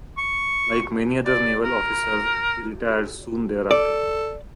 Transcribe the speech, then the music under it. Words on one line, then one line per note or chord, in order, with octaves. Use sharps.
Like many other naval officers, he retired soon thereafter.
C#6
D5
A#4
A4 D5